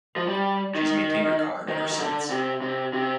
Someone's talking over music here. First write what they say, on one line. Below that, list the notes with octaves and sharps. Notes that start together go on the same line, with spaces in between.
She has maintained her card ever since.
F3
G3
D#3
D#3
D#3
D3
C3
C3
C3